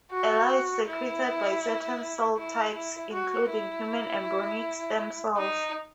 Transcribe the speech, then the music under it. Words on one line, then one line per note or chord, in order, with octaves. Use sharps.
Ela is secreted by certain cell types including human embryonic stem cells.
F#4
E4
E4
E4
F#4
E4
D#4